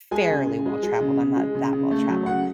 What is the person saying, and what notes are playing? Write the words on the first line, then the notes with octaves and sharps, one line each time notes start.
fairly well traveled I'm not that well traveled,
G#3 G#5
C#3
C#3
G#3
G#3
C#3
C#3
G#3
C#3
C#3
A3
F#3
C#3 F#5